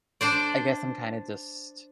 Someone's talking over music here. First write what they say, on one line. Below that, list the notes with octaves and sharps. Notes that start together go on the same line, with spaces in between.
I guess I'm kinda just
D4 C5 D5